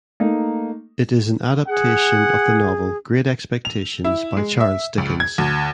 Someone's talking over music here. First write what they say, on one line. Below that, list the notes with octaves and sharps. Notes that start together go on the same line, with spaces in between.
It is an adaptation of the novel "Great Expectations" by Charles Dickens.
A3 A#3 D#4
G#4 F#5
F7
E4
G#3
E5
C#2
G#6
D2